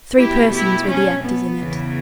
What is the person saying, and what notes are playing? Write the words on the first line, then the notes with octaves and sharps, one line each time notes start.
Three persons were the actors in it.
B2 A3 E4 G4
E4 G4
C#4
B3
E2 C#3 E3